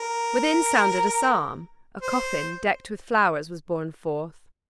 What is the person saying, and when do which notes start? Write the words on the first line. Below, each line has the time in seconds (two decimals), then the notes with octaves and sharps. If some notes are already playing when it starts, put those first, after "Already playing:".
Within sounded a psalm; a coffin, decked with flowers, was borne forth.
Already playing: A#4
2.01 C5